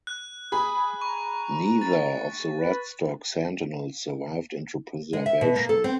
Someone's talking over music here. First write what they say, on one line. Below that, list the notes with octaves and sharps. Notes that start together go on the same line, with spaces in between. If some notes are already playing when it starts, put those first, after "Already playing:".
Neither of the Radstock Sentinels survived into preservation.
F#6
G#4 B5 D#6
A#5 C#6
A6
B4
G#3
E5
B2
A#3
A4
C4